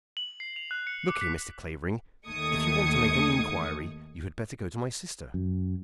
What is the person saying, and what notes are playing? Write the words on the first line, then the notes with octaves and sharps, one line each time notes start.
Look here, Mr. Clavering, if you want to make any inquiry you had better go to my sister.
F#7
C7
F7
F#6
C#7
D6
B6
D#2 D#3 A3 D#6 G#6 C#7
F#2